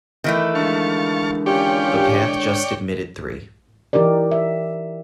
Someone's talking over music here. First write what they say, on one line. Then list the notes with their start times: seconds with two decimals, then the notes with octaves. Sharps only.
The path just admitted three.
0.24 D#3 E3 A3
0.55 D3 G#3 F5 A5 C#6
1.46 C#4 F4 G4 C#5 D5 G5
3.93 E3 D#4 G4 A#4 D5
4.31 E5